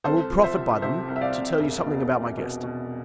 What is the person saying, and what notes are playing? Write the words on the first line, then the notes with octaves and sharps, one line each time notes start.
"I will profit by them to tell you something about my guest."
C2 A4 C5
F3
C5 E5
C3
C3 C5 E5
C2
E5
D5 F5
C2
E1
B2
E1
B2
B2